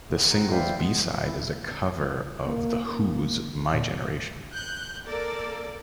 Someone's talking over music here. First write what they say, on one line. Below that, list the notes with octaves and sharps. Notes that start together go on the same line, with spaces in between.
The single's B-side is a cover of The Who's "My Generation".
E3 B3 G#4
G#2 C4 F4 G#4 F#5 A#5
B4 C5 D5 E5 F5 G5
G#3 B3
F2 A2 D3 E3
E4
F3
A#3
A#3
A#2
F#6 G6
A#3 A4 A#4 D5